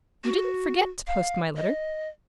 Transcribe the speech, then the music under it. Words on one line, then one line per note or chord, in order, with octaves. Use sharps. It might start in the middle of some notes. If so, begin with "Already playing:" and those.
"You didn't forget to post my letter?"
F#4
F5
D#5